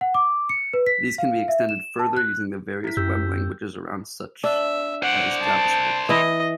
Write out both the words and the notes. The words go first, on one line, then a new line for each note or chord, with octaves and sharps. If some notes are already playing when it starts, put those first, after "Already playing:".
These can be extended further using the various web languages around such as JavaScript.
F#5
D6
C#7
B4
B6
F5
E5
E7
A5
F#6
E4 B6
F#2 G4 E6 G6
D4 E5
C5 D5 F#5
A5
E3 E4 D#5